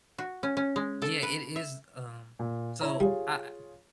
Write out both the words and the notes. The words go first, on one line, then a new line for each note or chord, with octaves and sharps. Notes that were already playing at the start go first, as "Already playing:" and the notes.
Yeah, it is, um So I
F#4
C#4
C#4
G#3
A4
B4
E5
A#2
E4 C#5 A#5
G3 F4 G#4 C#5